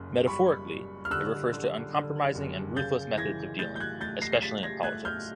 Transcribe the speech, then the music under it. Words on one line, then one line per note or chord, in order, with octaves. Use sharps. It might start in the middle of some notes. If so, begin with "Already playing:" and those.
Metaphorically, it refers to uncompromising and ruthless methods or dealings, especially in politics.
Already playing: F#1 F#2
G3 B5 C#6
G3
F6
D3 E6 F#6
D3
D3
F#1
C#3 G6 A6
E3 G#6 A#6
A3 G6 A6
G6
F#6 G#6
A3 G6 A6
A#6 C7
C7
C#3 A6 B6
G#6 A#6
A3 F#6 G#6
F6 G6